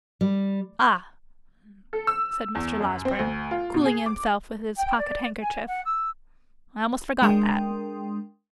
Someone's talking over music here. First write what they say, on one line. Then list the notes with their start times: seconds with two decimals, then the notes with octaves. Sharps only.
'Ah!' said Mr. Losberne, cooling himself with his pocket-handkerchief; 'I almost forgot that.'
0.21 G3
1.93 A4
2.07 E6
2.55 E2
2.80 F#2
3.05 C4
3.19 D2
3.51 F4
3.74 B2
3.85 G#4
4.06 D6
4.77 G5
4.97 D5
5.38 G#5
5.67 F#5
5.83 E6
7.22 G#3 D4 A#4 G5 C6 D#6